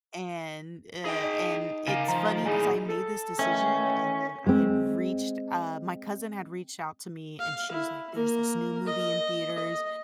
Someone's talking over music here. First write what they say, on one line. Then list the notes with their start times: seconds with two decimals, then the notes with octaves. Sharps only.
and, uh, and it's funny, 'cause I made this decision, and then I had reached uh, my cousin had reached out to me, and she was like, "There's this new movie in theaters.
1.05 D#4 G#4 G5
1.88 C#3 A#4 F5 G#5
2.08 D#3 F3 A#5
2.46 A#2 E3 D#4 G#4 G#5
2.88 A4
3.39 D#3 E3 A3 C#4
4.47 G#3 C4
7.40 F5
7.72 E4
8.15 A#3 A#4
8.87 D#5
9.58 D#5